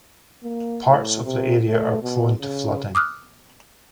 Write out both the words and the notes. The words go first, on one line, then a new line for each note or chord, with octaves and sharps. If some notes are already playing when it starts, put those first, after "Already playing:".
Parts of the area are prone to flooding.
A#3
A2
C3
A3
B2
C#3
D6 D#6 F6 F#6